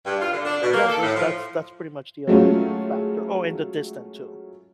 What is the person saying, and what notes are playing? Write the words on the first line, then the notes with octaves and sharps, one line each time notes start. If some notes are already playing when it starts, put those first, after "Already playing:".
Yeah, those that's that's pretty much the other factor. Oh, and the distance too.
G2
F4
D3
D4
B2
A#3
A4
A2
F3
F#3 G#3 A3 C#4 F4